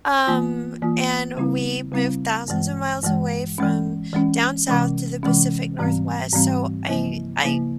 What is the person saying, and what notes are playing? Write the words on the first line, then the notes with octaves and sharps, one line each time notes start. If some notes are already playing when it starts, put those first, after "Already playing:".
um, and we moved thousands of miles away from down south to the Pacific Northwest. So I I
E3 A#3 F4
E3 A#3 F4
C#3 G3 C4 E4
C#3 G3 C4 E4
G2 E3 G#3
G2 E3 G#3
E3 G#3 C#4
E3 G#3 C#4
C3 E3 G#3 C#4
C3 E3 G#3 C#4
G#2 E3 G3 C4
G#2 E3 G3 C4
C#3 F3 A#3 E4
C#3 F3 A#3 E4